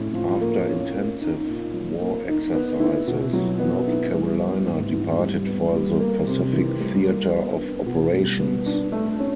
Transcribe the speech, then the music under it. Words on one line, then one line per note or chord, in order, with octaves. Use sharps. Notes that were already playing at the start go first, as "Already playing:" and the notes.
After intensive war exercises, "North Carolina" departed for the Pacific theater of Operations.
Already playing: A2 C#4
F3
A#3
C#4
A#3
D#4
A#2
F#3
A#3
D#4
B3
E4
B2
F#3
B3
E4
G3
B3
G#2
E3
G3
B3
G3
A#3
C3
E3
G3
A#3
B3
D4
B2
G3
B3
D4
A3
C#4